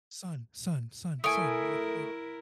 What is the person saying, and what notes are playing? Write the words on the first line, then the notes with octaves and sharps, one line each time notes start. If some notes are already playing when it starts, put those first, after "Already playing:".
Son, son, son, son, like like,
A3 E4 A#4 G#5 D#6 D7